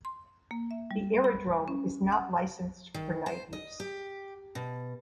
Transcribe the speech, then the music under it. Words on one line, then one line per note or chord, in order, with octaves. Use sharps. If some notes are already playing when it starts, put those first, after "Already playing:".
The aerodrome is not licensed for night use.
C6
A#3
E5
G3
B5
C#4
F#5
D#3
C5
D#5
G4
B2